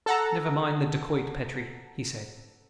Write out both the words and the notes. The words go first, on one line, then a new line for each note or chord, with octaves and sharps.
"Never mind the dacoit, Petrie," he said.
A4 F#5 A#5